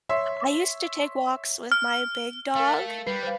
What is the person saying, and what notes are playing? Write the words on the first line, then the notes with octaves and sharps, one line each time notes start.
I used to take walks with my big dog,
C#5 E5 C6
F6
A3 A#4 F5
G3 B4 C7
C5 F5